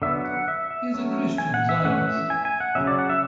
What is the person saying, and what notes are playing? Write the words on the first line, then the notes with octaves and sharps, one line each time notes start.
He is a Christian Zionist.
D3 F#3 B3 E5
F#5
E5
E5
F#3 A3 C#4
G#5
F#5
E5
E3 A3 C#4 F#5
E5
G#5
G#5
F#5
C#3 F#3 C#4 E5
D5
F#5
E5